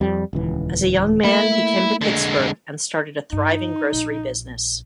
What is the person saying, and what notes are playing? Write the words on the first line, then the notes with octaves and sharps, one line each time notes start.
As a young man he came to Pittsburgh and started a thriving grocery business.
F2 G3
D#1 C#2 E3
A3 A#3 E4
D3 G#3
G2 D#4
A#1